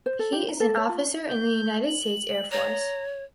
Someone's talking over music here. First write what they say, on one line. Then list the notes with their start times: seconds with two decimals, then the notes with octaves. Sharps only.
He is an officer in the United States Air Force.
0.06 C5
0.19 A4
0.32 G4
0.48 A#5
0.60 A4
0.77 C#5
0.89 F4
1.28 G6
1.87 F#7
2.52 C#5 A#5